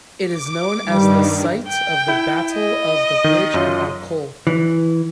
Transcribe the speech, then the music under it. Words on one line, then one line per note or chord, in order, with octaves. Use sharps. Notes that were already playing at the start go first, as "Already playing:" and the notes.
It is known as the site of the Battle of the Bridge of Arcole.
D6
G2 D#3 G3
G5
E4
D#5
D#3
F#2 F4
E3